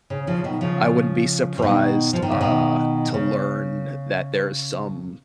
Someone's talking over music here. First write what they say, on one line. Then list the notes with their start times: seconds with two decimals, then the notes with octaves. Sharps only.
I wouldn't be surprised, uh, to learn that there's some
0.10 C#3
0.27 C#3 F3
0.44 B2 D#3
0.61 C#3 F3
1.58 F3
1.62 B2 D#3
2.13 F3
2.22 D#3
2.31 C#3
2.41 B2 D#3
3.14 C#3